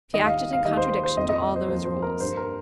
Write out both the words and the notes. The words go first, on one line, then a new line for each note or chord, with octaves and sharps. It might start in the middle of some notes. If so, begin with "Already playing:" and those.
She acted in contradiction to all those rules.
D#2 D#3 G3 A#3 D#5
F5
F5
F5
D#2 D#3 G3 A#3 D#5
C5
C5
F2 F3 A#3 D#5
D#5
D#5
C5
F2 F3 A#3 C5
C5
A#4
G2 G3 A#3 C5
A#4